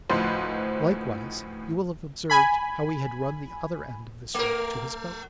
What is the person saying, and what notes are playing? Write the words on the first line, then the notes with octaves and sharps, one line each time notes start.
'Likewise you will have observed how he had run the other end of this rope to his boat.'
D2 A2 F3 D#4 B4 C5
G#5 B5
A3 A#4